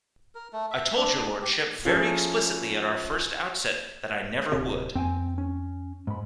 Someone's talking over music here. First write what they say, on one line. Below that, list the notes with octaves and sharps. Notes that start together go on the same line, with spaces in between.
I told your Lordship very explicitly at our first outset, that I never would.
A#4
A3
E5
D4
G4
F3 C#4 E4 G#4 A4
D1 C3 C4 G4 C#5 D#5
F2 C4 G5 G#5
C#4
G#2 B5